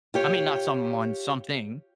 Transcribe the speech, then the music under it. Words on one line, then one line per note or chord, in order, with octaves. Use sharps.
I mean not someone, something,
F4 G4 C#5